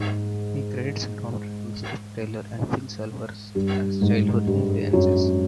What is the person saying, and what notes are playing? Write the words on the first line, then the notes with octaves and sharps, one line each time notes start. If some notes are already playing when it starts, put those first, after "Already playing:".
He credits Don Rickles, Rip Taylor, and Phil Silvers as childhood influences.
Already playing: G#2 G#3
G2 G3
G#2 G#3
G2 G3
F#2 F#3